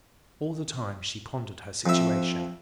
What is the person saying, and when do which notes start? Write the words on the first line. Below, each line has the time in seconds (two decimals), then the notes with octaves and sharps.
All the time, she pondered her situation.
1.86 F2 F3 E5